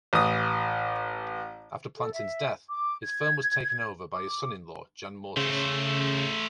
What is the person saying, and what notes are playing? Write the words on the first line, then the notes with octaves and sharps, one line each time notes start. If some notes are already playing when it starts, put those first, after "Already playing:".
After Plantin's death, his firm was taken over by his son-in-law, Jan Moretus.
A1 E3 D#6
A4
E5
D6
G#6
D6
C#3 A3 C5